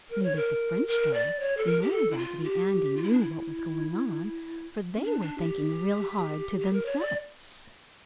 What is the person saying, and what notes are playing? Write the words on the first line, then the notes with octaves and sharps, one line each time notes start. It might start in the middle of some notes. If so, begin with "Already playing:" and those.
Neither the French doll nor Raggedy Andy knew what was going on, for they were thinking real hard to themselves.
A#4
C#5
A#4
A#4
D5
C#5
A4
A#4
G4
A4
E4
F4
G4
F4
E4
D4
E4
C#4
D4
D4
G4
G4
A#4
C#5
D5